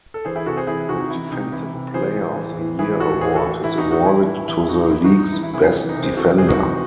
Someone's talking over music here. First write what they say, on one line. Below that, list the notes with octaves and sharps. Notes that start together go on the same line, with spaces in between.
The Defensive Player of the Year Award is awarded to the league's best defender.
A4
E3 G#4 C5
E4 G#4
C3 F#4 A4
G#4 C5
E3 E4 G#4
C3 D#4 F#4
D#4
E3 E4
C3 D#4
E3 E4
C3
E3 G#4 C5
A2
E3
A2
E3 E4 G#4
A2 F#4 A4
E3 G#4 C5
F#4 A4
A2
E3 E4
D#4 F#4
A2
D#4 F#4
E3 E4
A2 E4
E3 E4
G#4
A2 D#4 F#4
E3 E4
D#4 F#4
A2
D#4
E3 E4
E4
C3 E4 G#4
E4 G#4
E3 E4
D#4
C3
G#4 C5
E3 F#4 A4
C3 G#4 C5
D#4 F#4
E3